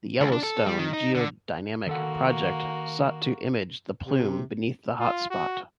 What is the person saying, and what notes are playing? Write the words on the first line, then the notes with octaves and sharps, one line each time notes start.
The Yellowstone Geodynamic Project sought to image the plume beneath the hotspot.
C#2
D4
A4
G3
D#3
D#4
D3
D#3 A#3 F#4 A4 F#5
C3
F4
F#4